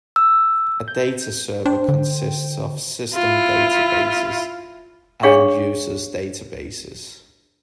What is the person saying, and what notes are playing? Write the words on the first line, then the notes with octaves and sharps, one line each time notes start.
A dataserver consists of system databases and user's databases.
E6
G6
D4 C5 G5
D3
E4 F4
D4 G#4 C#5 F5 C#6